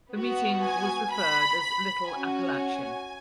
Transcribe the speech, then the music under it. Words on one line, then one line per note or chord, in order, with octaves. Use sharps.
The meeting was referred as "Little Apalachin".
B3 F#4
G#5
B5
B5
C#4 F#4 G#5